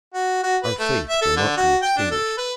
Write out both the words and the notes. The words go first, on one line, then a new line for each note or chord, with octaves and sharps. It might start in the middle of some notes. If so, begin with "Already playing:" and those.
Our faith will not be extinguished.
F#4
F#4
B4
A3
E5
A4
D3
F#4
G5
D4
A4
B4